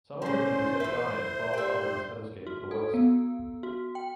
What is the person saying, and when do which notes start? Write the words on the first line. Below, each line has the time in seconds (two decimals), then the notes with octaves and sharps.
Some of the teachers had died while others had escaped to the west.
0.22 A#2 D3 C#4 C5 C6
0.80 E3 B4 E5
1.54 G4 D5 E5
2.47 F#4
2.71 A4
2.94 B3
3.63 F#4
3.95 G5